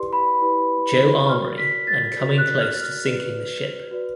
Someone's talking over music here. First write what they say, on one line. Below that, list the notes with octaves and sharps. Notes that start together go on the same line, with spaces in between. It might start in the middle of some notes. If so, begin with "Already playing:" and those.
Joe armory and coming close to sinking the ship.
Already playing: E4 G4 B4 D5 C6
B5
E4 G4 B4 D5
F#4 A#4 D5 F6
B6
A6
F#4 A#4 D5
F#6
F6
F6
F#4 B4 D5
F#4 B4 D5